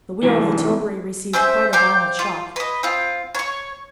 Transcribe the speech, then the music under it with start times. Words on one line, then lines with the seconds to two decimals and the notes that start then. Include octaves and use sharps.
The wheel of the tilbury received quite a violent shock.
0.23 G#2 C3 E3
1.33 C4 C#4 C5 E5
1.73 C5 F5 G5 D6
2.19 F4
2.56 B4 D#5
2.83 C4 F4
3.35 C#5 C#6